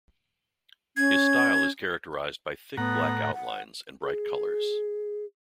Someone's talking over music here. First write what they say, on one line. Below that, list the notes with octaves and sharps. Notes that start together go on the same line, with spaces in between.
His style is characterized by thick black outlines and bright colors.
C#4 G#6
A2 B3 F#5 A#5
F#5
G#4